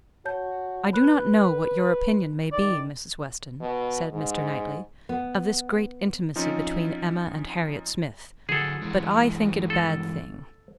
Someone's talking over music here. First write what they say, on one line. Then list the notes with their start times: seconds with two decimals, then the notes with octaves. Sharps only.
"I do not know what your opinion may be, Mrs. Weston," said Mr. Knightley, "of this great intimacy between Emma and Harriet Smith, but I think it a bad thing."
0.25 F#4 C#5 A5 G6
0.93 B4 B5 F#6
2.52 D#3 D5
3.61 B2
4.12 G#2
5.09 B3
6.36 F3 C4 C#4 D#4 F4
8.49 D3 F#3 G#4 A4
8.82 G2 E3 G#3
9.70 A4